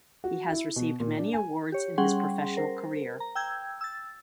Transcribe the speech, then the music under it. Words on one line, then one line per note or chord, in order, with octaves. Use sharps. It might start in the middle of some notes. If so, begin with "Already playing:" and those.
He has received many awards in his professional career.
F#4
E4
B2
A#2
D4
G#5
G4 C#5
G3 C#4 G#4 F#5 G5 C6
A#4 C5
A#5
G5 E6 G6 G#6
E6 A6